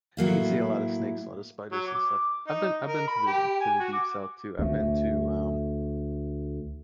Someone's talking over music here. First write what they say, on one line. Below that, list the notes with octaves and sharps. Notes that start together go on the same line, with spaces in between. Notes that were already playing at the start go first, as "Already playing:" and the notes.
you can see a lotta snakes, a lotta spiders and stuff. I've been I've been to the to the deep South too. I've been to, um
A2 F#3 A#3 E4
F#3
D6
D#4
A#4
B5
G4
G#5
F#4
D6
D2 A3